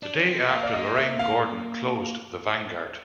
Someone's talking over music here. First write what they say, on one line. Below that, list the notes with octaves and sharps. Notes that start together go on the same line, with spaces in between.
The day after, Lorraine Gordon closed the Vanguard.
D4
C#4
C4
B3
A#3 F5
D5
D#5
E5
F5